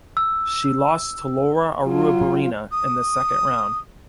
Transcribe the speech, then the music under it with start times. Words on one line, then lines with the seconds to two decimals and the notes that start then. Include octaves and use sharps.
She lost to Lara Arruabarrena in the second round.
0.17 E6
1.84 F#3 F4
2.71 D#6